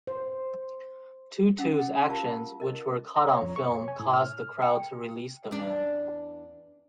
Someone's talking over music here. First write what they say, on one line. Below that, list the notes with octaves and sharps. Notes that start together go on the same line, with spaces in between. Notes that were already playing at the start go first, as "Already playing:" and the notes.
Tutu's actions, which were caught on film, caused the crowd to release the man.
C5
C#4 F#5 G5
F4 G4 A#4 F5 A5
A#4 D#5
A#5
C#5
F2
C#6
C#5
G#5
A2
F6
G5
E2 D4